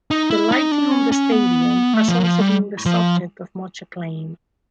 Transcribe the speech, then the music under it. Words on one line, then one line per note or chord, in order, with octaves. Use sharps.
The lighting on the stadium has also been the subject of much acclaim.
D#4
E4
D#4
D4
C#4
C#4
B3
A3
F3
F#3
F3
G3
F3